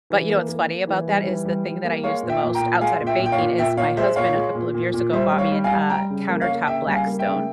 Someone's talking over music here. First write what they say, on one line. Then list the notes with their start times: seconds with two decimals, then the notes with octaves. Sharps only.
but you know what's funny about that is the thing that I use the most outside of baking is my husband a couple of years ago bought me an uh, a countertop Blackstone
0.10 E3
0.29 A#3
0.48 A#3
0.68 A#3
0.87 E3
1.07 G3
1.27 E3
1.45 G3
1.65 G3
1.84 A#3
2.03 G#3 C#5 F5
2.23 A#2
2.29 E5 G5
2.42 A#2
2.55 G5 A#5
2.61 A#2
2.81 G#3 F5 G#5
3.00 A#2
3.06 E5 G5
3.19 A#2
3.26 G5
3.32 C#5 F5
3.38 A#2
3.58 A#2 E5 G5
3.77 A#2 C#5 F5
3.97 G#3 C5 E5
4.16 A#2 C#5 F5
4.35 G#3
4.55 A#2
4.74 A#2
4.94 A#2
5.12 G3 C5 E5
5.32 G3
5.38 C#5 F5
5.51 G3
5.64 F5 G#5
5.71 G3
5.90 G3 G5 A#5
6.10 C#3
6.29 A#3
6.41 C#5 F5
6.48 A#3
6.67 C#3 E5 G5
6.86 G3
6.93 F5 G#5
7.06 A#3
7.19 E5 G5
7.26 C#3